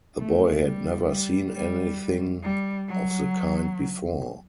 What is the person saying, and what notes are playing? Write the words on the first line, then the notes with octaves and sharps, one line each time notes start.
The boy had never seen anything of the kind before.
A3
G3
G3
G3
G3
F#3